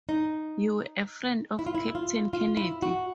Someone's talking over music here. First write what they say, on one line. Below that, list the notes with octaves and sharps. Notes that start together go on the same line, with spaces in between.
You were a friend of Captain Kennedy?
D#4
E4
F4
E4
F4
F4
E4
F#4